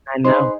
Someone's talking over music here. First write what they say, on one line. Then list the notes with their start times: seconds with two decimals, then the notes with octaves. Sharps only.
I know.
0.24 D#4 G#4 B4 C5